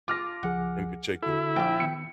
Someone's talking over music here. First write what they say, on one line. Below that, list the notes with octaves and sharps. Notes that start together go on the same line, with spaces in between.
in particular?
F4 A5 D6 F6 A#6
C#2 F3 G#4 F#5
D3 E4 F#4 A4
A#1 G5 D6
D#3 B3 C#7